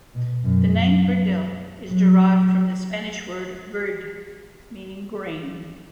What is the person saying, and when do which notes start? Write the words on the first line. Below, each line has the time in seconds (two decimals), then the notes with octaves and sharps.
The name Verdel is derived from the Spanish word "verde", meaning "green".
0.14 B2
0.44 F#2
0.72 F#3
1.90 F#3